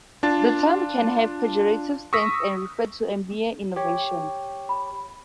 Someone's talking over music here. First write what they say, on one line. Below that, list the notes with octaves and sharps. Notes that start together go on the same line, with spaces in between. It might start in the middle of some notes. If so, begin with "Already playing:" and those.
The term can have pejorative sense and refer to a mere "innovation".
D4 F4 A5 A6
C#6 D#6 E6 A#6 B6
G4 C#5 G5
B5